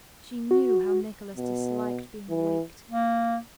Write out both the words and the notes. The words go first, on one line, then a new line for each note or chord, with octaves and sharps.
She knew how Nicholas disliked being waked.
F#4
B2
E3
A#3